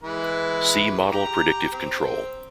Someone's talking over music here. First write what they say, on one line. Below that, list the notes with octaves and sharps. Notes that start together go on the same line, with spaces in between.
See Model predictive control.
E3 G#3 B4
G4 A#5
C4